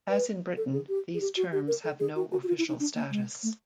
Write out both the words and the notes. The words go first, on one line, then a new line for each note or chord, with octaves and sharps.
As in Britain, these terms have no official status.
B4
A4
G#4
G4
G#4
G4
F#4
G4
A#4
A4
G#4
F#4
F#4
F#4
F4
E4
D#4
D4
A#3
G#3
A3